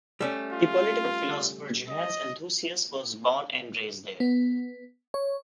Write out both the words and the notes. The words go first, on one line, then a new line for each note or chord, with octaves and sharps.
The political philosopher Johannes Althusius was born and raised there.
G3 A3 C#4
F4
D#5
B3
C#5